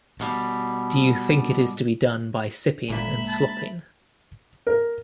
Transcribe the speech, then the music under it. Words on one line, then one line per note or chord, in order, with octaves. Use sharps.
Do you think it is to be done by sipping and slopping?
B2 G3
G1 A#2 D3 G#3 A#3 E5 B5
A5
A#4